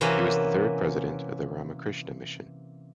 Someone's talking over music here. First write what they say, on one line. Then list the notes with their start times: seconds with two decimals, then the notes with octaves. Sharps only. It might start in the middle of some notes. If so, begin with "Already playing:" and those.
He was the third president of the Ramakrishna Mission.
0.01 C3 E3 A#3 C#4 F#4 G4